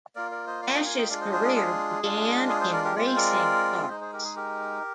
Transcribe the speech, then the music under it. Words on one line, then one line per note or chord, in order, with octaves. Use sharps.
Ash's career began in racing karts.
A#3 F4 A#4 D5
A#4 D5
C5 D#5
D5 F5
D#5 G5
F5 G#5
D#5 G5
G#3 D4 F4 D5 F5
C5 D#5
G#4 C5
G#4
G#4
G#3 D4 F4
G#4
G#4 C5
A#4 D5
G4 A#4
G#3 C4 F4 D5
C5
A#4 D5
G#3 D#4 C5 D#5
G#4 C5
G4 A#4
G#4
G4 A#4